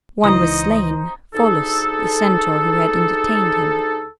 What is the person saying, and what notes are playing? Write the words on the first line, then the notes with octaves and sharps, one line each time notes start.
One was slain, Pholus, the centaur who had entertained him.
C#2 E3 D#4 C5 D#5 D#6
D2 D#4 G#4 A4